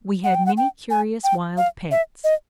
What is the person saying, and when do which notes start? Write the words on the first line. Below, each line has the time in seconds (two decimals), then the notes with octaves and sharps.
We had many curious wild pets.
0.24 F#5
0.35 G5
0.46 F#5
0.57 G5
0.90 G#5
1.24 G5
1.57 F5
1.91 E5
2.24 D#5